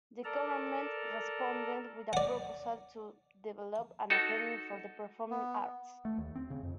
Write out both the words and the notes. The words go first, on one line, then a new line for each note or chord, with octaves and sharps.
The government responded with a proposal to develop an academy for the performing arts.
A4 A#4 D5 A5 A#5
D5 F#5
D#4 F#4 A4
B3
A3
D#2
C4
C#3
F2